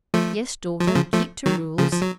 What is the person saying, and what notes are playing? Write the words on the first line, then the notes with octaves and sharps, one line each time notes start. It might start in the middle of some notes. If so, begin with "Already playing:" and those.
"Yes, daughter; keep to rules."
F3 A3
F3
F#3
C#3 F3
F3 A3
D#3 F#3
C#3 F3
F3
F#3